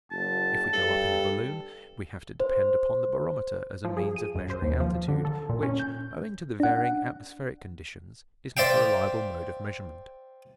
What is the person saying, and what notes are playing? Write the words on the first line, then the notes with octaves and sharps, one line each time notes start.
If we go up in a balloon we have to depend upon the barometer as a means of measuring altitude, which, owing to the varying atmospheric conditions, is not a reliable mode of measurement.
F#1 A5
G2 A4
C5
F3
G#4
D#7
F#2
C5
D#2
F3
D3
A4
A#2
C#4
G6
D4 F#5
C5 D5 E5 F5 G5